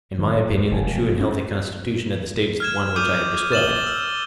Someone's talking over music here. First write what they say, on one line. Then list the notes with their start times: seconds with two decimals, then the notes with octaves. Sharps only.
In my opinion the true and healthy constitution of the State is the one which I have described.
0.19 D#3
0.35 G#2
0.50 E2
0.71 F1
0.98 A2
1.21 C#4
2.60 F6 G#6 E7
2.96 D6 D#6 G6 D#7
3.52 A6 E7 F#7 G7
3.86 E6